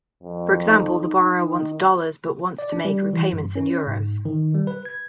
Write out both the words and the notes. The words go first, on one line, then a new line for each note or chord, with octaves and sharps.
For example, the borrower wants dollars but wants to make repayments in euros.
F2
D#4
D#3
D5
D4
G3
E3
G2
C#4
G#2
D#3
G3
B4
G#6